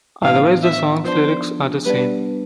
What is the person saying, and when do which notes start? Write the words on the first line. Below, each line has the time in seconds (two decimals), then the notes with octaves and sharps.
Otherwise, the song's lyrics are the same.
0.22 A2 E3 B3 D4 F5
0.63 E5
1.04 F3 B3 D4 C5
1.86 G3 B3 D4 B4